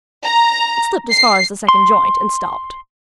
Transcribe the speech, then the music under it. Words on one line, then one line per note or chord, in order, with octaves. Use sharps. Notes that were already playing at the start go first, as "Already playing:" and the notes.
It slipped as far as the second joint and stopped.
A#5
C7
C6